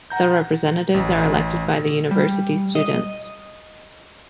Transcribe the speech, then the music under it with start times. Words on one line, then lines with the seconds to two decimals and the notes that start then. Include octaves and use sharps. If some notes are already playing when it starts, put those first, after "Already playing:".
The representatives are elected by the university students.
0.10 F#5 A#5 G6
0.94 A1
2.11 G3
2.75 D#5